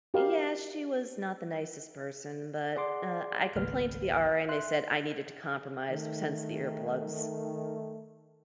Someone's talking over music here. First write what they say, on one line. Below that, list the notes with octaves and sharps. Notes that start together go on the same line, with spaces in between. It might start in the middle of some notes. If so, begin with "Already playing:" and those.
Yeah, she was not the nicest person, but, uh, I complained to the RA, and they said I needed to compromise s hence the earplugs.
F#4 G4 A#4 D#5 F5
G#4 D5 F#5 C6 D6
G#1 C#2 A#3 B4 F6
E5 C6 F#6
D#3 A3